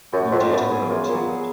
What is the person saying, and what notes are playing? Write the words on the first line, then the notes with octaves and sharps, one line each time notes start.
Good data were obtained.
F#2 F#3
F2 F4
F#2 B3
G#4
F#2 F4
A#2 F#3
G#4